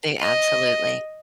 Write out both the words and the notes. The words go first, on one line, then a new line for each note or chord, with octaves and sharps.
They Absolutely
D#5